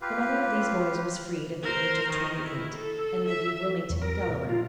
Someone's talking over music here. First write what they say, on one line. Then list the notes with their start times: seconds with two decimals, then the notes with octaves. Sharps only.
The mother of these boys was freed at the age of twenty-eight, and lived in Wilmington, Delaware.
0.01 F4 G4 B4 F5
1.63 A#4 C5
2.11 D#3
2.42 E4
2.76 A4
3.28 E5
3.89 E2 A3 C4
4.02 A#4
4.27 A#2 G#3
4.49 F4